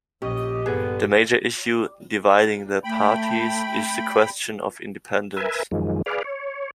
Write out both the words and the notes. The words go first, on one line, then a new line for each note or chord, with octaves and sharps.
The major issue dividing the parties is the question of independence.
A#1 C#4 G4 D#5
G2 D3 B3 G#4
A3 G5 B5
A#4 B4 E5 G#5
F#2 D#3 F3 G#3
G#4 B4 D5 F5
C#5